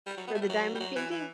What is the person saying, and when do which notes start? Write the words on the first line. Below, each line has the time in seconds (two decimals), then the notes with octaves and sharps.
for the diamond painting?
0.06 G3
0.17 F#3
0.27 B3
0.34 A3
0.42 G3
0.49 F#3
0.75 G3
0.80 F#3
0.96 E3
1.11 E3